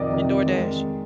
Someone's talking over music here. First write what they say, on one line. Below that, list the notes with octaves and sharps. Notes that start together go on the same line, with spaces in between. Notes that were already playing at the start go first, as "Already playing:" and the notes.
And DoorDash
Already playing: F2 C3 D#3 D5 D#5
F2 C3 D#3
D#3 G#3